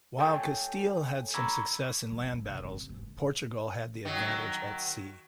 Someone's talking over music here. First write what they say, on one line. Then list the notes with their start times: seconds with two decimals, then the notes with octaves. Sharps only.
While Castile had some success in land battles, Portugal had the advantage at sea.
0.19 A4 C#5 G5 G#5
1.34 A#5 B5 C#6 D6 E6 G#6
2.11 B2 A#3
2.32 F#1 F#2
2.48 A#1 C3
2.62 A#3 C4
2.90 E1 G#2
4.05 D#3 F#3